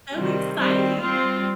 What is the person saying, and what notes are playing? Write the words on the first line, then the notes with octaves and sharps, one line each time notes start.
so exciting,
C3 D#3 G3
D#3 G3 C4
G3 C4 F4